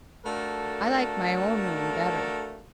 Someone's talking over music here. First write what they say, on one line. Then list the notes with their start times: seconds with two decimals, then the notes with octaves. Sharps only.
I like my own room better.
0.24 A3 D4 F4 F#4 A4 A#4